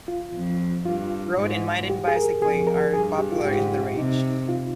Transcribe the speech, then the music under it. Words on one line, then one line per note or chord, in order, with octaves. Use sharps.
Road and mountain bicycling are popular in the range.
F4
F2
G2 F4
G#2
G4
G#4
A#4
F2 G#4
A#4
G2 G#4
G4
F4
G#2 G4
C3 D#4
F4